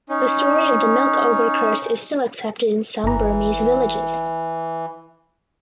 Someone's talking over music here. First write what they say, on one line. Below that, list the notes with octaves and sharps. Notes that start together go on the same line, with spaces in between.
The story of the Milk Ogre curse is still accepted in some Burmese villages.
C#4 D#4
G1 E3 A#5